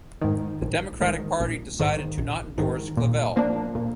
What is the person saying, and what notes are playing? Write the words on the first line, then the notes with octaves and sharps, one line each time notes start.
The Democratic Party decided to not endorse Clavelle.
G#2 D#3
A#1
G#2 D#3
A#1
G#2 D#3
A#1
G#2 D#3
A#2
F3 A#3 D4
A#2